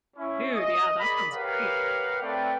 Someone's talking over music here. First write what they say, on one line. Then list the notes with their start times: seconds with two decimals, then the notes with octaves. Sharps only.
Dude, yeah, that sounds great.
0.17 C#4 E4
0.54 D#5
1.00 G#4 A#4 D5 B5
1.33 G4 A#4 B4 C#5 F5 F#5
2.21 A3 C4 B4 D5 G5